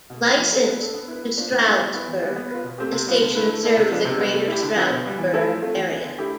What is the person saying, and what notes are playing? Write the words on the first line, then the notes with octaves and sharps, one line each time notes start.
Licensed to Stroudsburg, the station serves the Greater Stroudsburg area.
B2
B3 D4
F3
A3 D4 A4
B3
D4 A4
B3
E4 B4
B3
D4 F4 C5
A2
G3 B3 E4
G3
B3 E4 B4
E3
G3 B3
B3
F4 B4
B2
A3 C4 G4
C3
G3 B3 F4
D3
A3 E4 B4
A3
E4 A4 D5
C3
F3 B3 D4
C3
G3 B3
A3
E4 G4
D3
F3 B3 F4
B2
G3 B3
E3
A3 E4 A4
F3
A3 C4 F4
E3
B3 D4
D3
A3 E4 G4